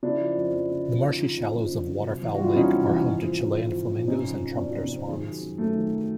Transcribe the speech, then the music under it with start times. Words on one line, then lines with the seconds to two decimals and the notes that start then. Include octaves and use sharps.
The marshy shallows of Waterfowl Lake are home to Chilean flamingos and trumpeter swans.
0.03 C#3 D4 E4
0.20 F3
0.37 F2
0.54 F2
0.70 C#3
0.88 F3
1.04 D3 D#4 F4
1.22 F#3
1.37 F2
1.55 F2
1.72 D3
1.89 F#3
2.05 C3
2.22 E3
2.34 F#4
2.39 G3 F4
2.48 E4
2.56 E2 C#4 D#4
2.72 C3
2.89 E3
3.06 F3
3.23 G#2
3.40 F3
3.57 G#2
3.74 F3
3.91 G#2
4.07 C3 C#4 D#4
4.24 F3
4.42 F2
4.57 F2 D4
4.71 C3 D#4
4.85 C4 D4
4.92 F3
5.08 D#3 G#3
5.25 F#3
5.42 F#2
5.58 F#2 A3
5.76 D#3
5.93 F#3